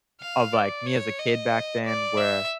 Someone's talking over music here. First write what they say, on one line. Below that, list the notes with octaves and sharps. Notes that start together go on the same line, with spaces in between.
of, like, me as a kid back then where
F5
D5
C#5
D#5
D5
E5